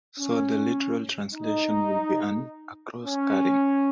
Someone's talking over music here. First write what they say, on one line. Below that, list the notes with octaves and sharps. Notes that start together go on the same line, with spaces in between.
So the literal translation would be an "across-carrying".
C#4
D#4
C#4